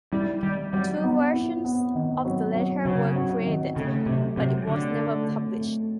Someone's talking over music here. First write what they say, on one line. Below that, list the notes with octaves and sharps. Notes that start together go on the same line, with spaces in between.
Two versions of the letter were created, but it was never published.
G3 E4
D#3 G3
F#3 G3
B3
E4
B3
D#3
F#3
F#3
C#3 F#3
F#3
D#3
C#3 A3
C3 F#3
C3 F#3
D3 A3
A3
A3
A3